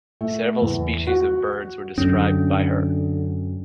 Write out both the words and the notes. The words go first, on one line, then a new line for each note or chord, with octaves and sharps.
Several species of birds were described by her.
A3
E2
F#4
F#2 D3 C#4